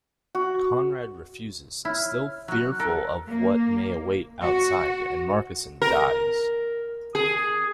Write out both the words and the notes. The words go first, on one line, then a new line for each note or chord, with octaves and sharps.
Conrad refuses, still fearful of what may await outside, and Marcusson dies.
F#4
E4 C#5 F6
F#3 F#4 F6 F#6
A4 A#4
A#3
F#4
A#4
G#4